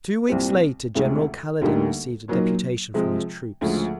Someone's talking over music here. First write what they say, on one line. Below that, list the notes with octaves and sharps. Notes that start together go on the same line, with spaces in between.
Two weeks later General Kaledin received a deputation from his troops.
C2 A#2 G3 C4
D2 C3 E3 G#3 C#4
D2 D3 G3 A#3 D#4
A#2 F#3 A#3 D#4
C3 F3 G#3
D2 C#3 F3 G#3